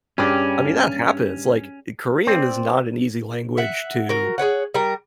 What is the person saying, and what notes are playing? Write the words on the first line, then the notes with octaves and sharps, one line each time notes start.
I mean, that happens, like, Korean is not an easy language to
G2 C#4 G4 G#4 D5
C4 D5
E5 F#5
F#4 A#4
G#4 B4 C#5 F#5
G3 A#4